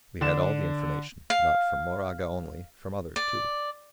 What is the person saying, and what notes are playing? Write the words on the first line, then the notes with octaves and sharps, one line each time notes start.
We had all the information, not from Moraga only; from others, too.
D3 D4 E7
F5
D5